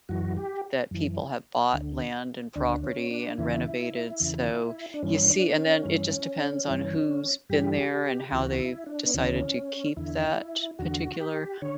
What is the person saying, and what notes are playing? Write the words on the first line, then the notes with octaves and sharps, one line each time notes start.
that people have bought land and property and renovated, so you see and then it just depends on who's been there, and how they've decided to keep that particular
F#2 E3 F#4
G4
F#2 E3
D2 D3
D2 D3 D4
C#4
D4
E2 C#3 E3 E4
E2 C#3 E3
D4
G2 E3 C#4
D4
C#4
G2 E3
G2 E3
G2 E3 G4
D2 C#3 E3 F#4
E4
D4
B3
D2 C#3 E3 C#4
E2 D3 E4
E2 D3 F#4
G4
D3 C#5